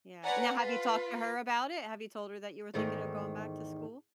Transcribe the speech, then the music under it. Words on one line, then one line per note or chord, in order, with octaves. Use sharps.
Yeah now, have you talked to her about it? Have you told her that you were thinking of going back to school?
B4 C#5 D5 F#5 G#5 A#5
F4 B4
E2 G#2 D#3 A3